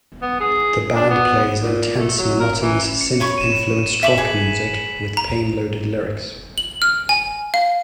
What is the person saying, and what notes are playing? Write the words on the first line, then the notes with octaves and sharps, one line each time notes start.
The band plays intense monotonous synth-influenced rock music with painloaded lyrics.
B3
G#4
D4
B3
A#2
A3
F#3
A#4
E3
C#7
C#5 B5 C#6
D#7 E7
E5 D6 B6 F#7
G#4 B4
A#5
F#7
F6
G#5
F5